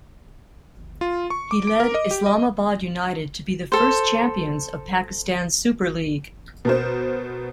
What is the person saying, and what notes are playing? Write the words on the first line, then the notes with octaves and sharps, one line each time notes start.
He led Islamabad United to be the first champions of Pakistan Super League.
F4
C#6
D6
D7
A#4
D#5
G4
D#5
A4 C5
B2 A#4 C5